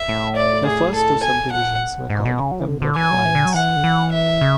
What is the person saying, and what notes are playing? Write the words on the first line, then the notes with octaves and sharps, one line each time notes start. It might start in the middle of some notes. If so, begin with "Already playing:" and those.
The first two subdivisions were called Pembroke Pines.
Already playing: E5
A2
D5
G#4
A4
B2 G#5
F#5
G#2
B2
C#3
F#3
E3
D3
D3
E3 G#5
F#3
E3
D3
F#3
E3 F#5
D3
E3
E5
C#3